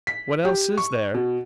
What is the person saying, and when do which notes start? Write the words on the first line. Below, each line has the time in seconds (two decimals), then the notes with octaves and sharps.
"What else is there?"
0.07 B6
0.45 G4
0.78 C#6
1.14 B2